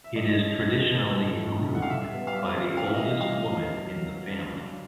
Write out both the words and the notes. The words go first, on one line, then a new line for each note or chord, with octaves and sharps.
It is traditionally brewed by the "oldest woman in the family".
E5
F3 D#5
C#4
A2
F3
A2
A2
A2
A2
F#5
F5
G3 E5
B3
F5
G3 E5
C#3
E3 F5
E5
D#5
E3 E5
G3 F5
G3
F#3
F#3
F#3
D4
F#3